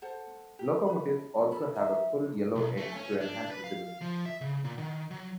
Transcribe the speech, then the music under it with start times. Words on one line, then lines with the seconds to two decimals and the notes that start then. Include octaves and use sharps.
Locomotives also have full yellow ends to enhance visibility.
0.02 A4 C5 F#5
0.59 G4
0.86 B4 B5
1.52 C#4 A4 B5
1.75 D#4 E5
2.55 B1
2.77 A3
2.95 C#4
3.20 D4
3.51 B4
3.64 F5
4.01 F3
4.26 E5
4.41 C#3
4.65 A#2
4.78 D#3
5.11 F#3